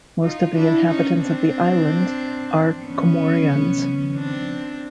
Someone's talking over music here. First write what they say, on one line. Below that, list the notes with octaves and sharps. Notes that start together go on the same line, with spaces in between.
Most of the inhabitants of the island are Comorians.
D#4 F4
D4 E4
C#4 D#4
C4 D4
B3 C#4
C4 D4